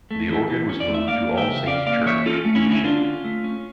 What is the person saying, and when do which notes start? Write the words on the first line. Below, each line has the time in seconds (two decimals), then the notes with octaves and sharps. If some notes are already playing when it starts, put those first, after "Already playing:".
The organ was moved to All Saints Church, Evesham.
0.11 A3
0.30 E3
0.50 E3
0.69 C#4
0.80 D5
0.88 A3
0.94 E5
1.08 A#3 D5 F5
1.28 E3
1.37 E5 G5
1.48 C#3
1.58 E5
1.66 C#4 D5 F5
1.86 A#3 D5 F5
2.06 E3 C#5 E5
2.26 C#4 F4 A4
2.45 A3
2.55 C#4 E4
2.65 D3
2.71 C#4 E4
2.84 D3 D4 F4
3.04 C#4
3.24 A3
3.44 C#4